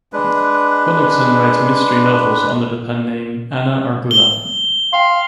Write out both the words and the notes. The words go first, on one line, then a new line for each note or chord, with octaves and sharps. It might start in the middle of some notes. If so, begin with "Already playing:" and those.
Ponicsan writes mystery novels under the pen name Anne Argula.
G#3 D4 B4
G7
F5 G5 C6